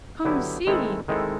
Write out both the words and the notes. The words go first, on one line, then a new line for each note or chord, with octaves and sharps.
"Come, see!"
D3 F#3 B3 E4 G4
D#3 G#3 C4 E4 A4
D#3 G#3 C4 E4 A4